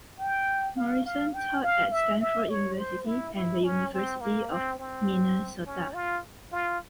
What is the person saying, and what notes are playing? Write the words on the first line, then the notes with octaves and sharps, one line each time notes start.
Morrison taught at Stanford University and the University of Minnesota.
G5
F5
F5
G5
F5
E5
E5
C#5
C5
E4
E4
C#4
C4
A#3
C4
C4
C#4
F4
F4